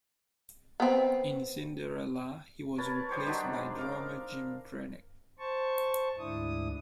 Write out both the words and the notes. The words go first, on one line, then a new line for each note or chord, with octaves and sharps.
In Cinderella, he was replaced by drummer Jim Drnec.
B3 C4
A#4 B4 C#5 A5
G3 G4 C5 C#5
D#3 F#3 D4 D#4
G#3
A#4 F5 D6
A#4
C5 A5 C#6
D2 G#2 D4 E4 D#6